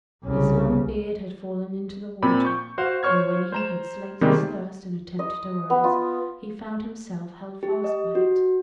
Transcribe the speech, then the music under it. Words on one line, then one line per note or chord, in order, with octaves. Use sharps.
His long beard had fallen into the water, and when he had slaked his thirst and attempted to rise, he found himself held fast by it.
C2 C#3
A#2 C4 B5
C#6 G6
F#4 C5 F5
C5 C#5 C#6 F6 G#6
C5 A#5 E7
C3 D#3 G3 G#3 A#3
D#5
B3
F4
G4
D#5
F#4